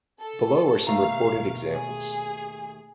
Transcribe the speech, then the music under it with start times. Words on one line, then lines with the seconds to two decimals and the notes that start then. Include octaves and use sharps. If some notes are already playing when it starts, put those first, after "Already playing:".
Below are some reported examples.
0.21 A4
0.87 D#2 B2 A3 F5 A#5
1.70 G#4